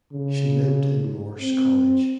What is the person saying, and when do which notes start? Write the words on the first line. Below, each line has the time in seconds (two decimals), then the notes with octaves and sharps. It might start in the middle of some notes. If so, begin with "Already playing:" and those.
She lived in Morse College.
0.12 C#3
1.41 C4